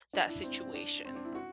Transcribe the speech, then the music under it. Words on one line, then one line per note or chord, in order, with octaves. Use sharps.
that situation?
D4
E4
C4
C4
D4
C4
D4
E4
F#4